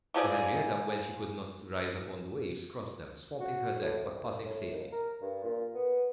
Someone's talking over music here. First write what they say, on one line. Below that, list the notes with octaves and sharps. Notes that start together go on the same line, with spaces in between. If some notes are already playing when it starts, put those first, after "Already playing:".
The Henrietta, when she could not rise upon the waves, crossed them, swamping her deck, but passing safely.
E3 F3 G#4 D5
F#4
A2
C2
A2
D#2
A#4
G2
A#2
B3